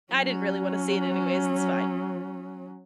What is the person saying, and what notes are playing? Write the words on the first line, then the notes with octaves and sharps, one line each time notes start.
I didn't really wanna see it anyways, it's fine."
F#3 C#4